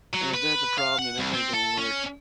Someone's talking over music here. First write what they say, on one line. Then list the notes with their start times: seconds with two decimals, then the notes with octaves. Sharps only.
and if that's a problem, then this ain't gonna work.
0.13 F#3
0.34 B4
0.78 F5
0.99 F#5
1.18 C2
1.34 C4
1.54 A4
1.77 C#4